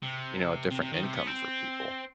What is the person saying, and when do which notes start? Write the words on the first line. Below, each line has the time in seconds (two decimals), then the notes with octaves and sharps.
you know, a different income for people.
0.03 C3
0.71 C3
0.81 C3
0.93 D#3
1.03 C3
1.14 B3
1.27 C4